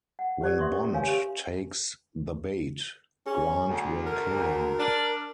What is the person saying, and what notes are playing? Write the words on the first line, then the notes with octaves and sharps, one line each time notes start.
When Bond takes the bait, Grant will kill him.
F#5
G4 B4 C5 D5
E5 C6 C#6 D#6
C#4 C#6
A#4 C#5 F5 G#5
G4
C#4 G#4
D2
A#4
D4 D5